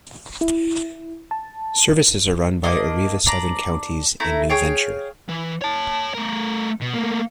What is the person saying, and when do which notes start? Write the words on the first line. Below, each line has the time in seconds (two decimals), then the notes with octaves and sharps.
Services are run by Arriva Southern Counties and Nu-Venture.
0.41 E4
1.31 A5
2.63 A#3 D4 D#5
3.26 D4 D5 A#5
4.20 A3 E4 A#5
4.50 G#4 C#5 F5 G5
5.29 E3
5.62 C#5 A5
6.15 A3 A#4
6.81 B2
6.94 A3 A#3